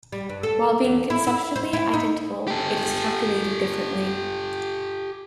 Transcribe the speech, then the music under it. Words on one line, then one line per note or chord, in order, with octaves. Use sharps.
While being conceptually identical, it is calculated differently.
G3
G2
A4
E2
E4
E4
C5
E4
D#4
G4 A4